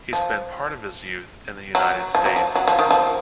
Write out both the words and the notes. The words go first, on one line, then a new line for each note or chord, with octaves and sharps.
He spent part of his youth in the United States.
F3
F#3
F3
F#3
F3
F#3
F3
D#3
F3